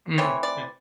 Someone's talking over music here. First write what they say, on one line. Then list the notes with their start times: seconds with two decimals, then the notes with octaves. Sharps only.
Mm. Yeah.
0.18 E3 A3 C4 C#5
0.43 D5